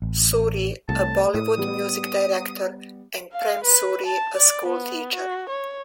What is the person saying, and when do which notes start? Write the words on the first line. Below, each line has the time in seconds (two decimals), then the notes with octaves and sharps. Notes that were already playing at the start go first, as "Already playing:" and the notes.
Suri, a Bollywood music director, and Prem Suri, a schoolteacher.
0.02 A1
0.89 C2 A3 A5
1.35 A2 D#6
1.58 G3 B3
3.33 F5
3.64 B4
4.06 A5
4.37 D5
4.67 B3
5.15 F#4
5.49 C#5